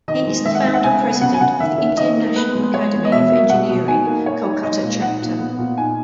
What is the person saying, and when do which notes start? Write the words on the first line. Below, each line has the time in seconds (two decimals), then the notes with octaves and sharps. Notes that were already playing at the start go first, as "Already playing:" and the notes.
He is the founder President of the Indian National Academy of Engineering, Kolkata Chapter.
0.08 D#3 D#5
0.27 G#3
0.45 D#3 E5
0.55 F#5
0.64 G#3 E5
0.74 F#5
0.84 C#3 G#5
1.03 B3
1.21 C#3 F#5
1.34 G#5
1.41 C#3 F#5
1.60 D#3 E5
1.78 C#4
1.97 D#3 D#5
2.17 A#3
2.36 B3 B4
2.55 G#3
2.74 G#3 C#5
2.93 B3
3.05 D#5
3.11 B2 E5
3.31 A#3
3.49 B2 F#5
3.69 B2
3.87 D#4 G#5
4.07 A#3
4.26 A#3 C#5
4.45 D#4
4.63 G#3 D#5
4.83 A#2
5.02 D#4 F#5
5.21 A#2
5.40 B3
5.58 A#2
5.78 D#4 G#5